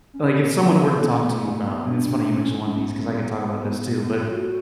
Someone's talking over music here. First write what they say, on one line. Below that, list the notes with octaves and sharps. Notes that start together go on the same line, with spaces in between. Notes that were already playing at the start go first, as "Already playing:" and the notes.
Like, if someone were to talk to you about and it's funny you mentioned One Piece 'cause I can talk about this, too, but
C#4
B3
A3
B3
C#4
B3
A3
A3
B3
D4
C#4
A3
B3
B3
F4
F#4